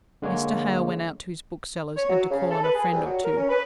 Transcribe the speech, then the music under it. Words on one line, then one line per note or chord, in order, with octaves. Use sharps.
Mr. Hale went out to his bookseller's, and to call on a friend or two.
D3 G#3 A#3 C#5
C#5
F#3
C#3
A4
B4
G#4
C2
F#3
A#4
C#4
B4